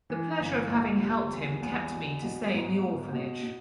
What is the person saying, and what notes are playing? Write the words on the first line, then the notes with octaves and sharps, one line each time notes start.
The pleasure of having helped him kept me to stay in the orphanage.
E3
G1
A#1
G3
E2
E2
B2
B2
G#2
G#2
B2
B2